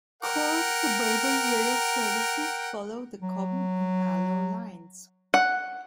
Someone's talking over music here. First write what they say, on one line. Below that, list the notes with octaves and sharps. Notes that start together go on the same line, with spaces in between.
Cork Suburban Rail services follow the Cobh and Mallow lines.
A#4 F#5 G5
F#3
F#5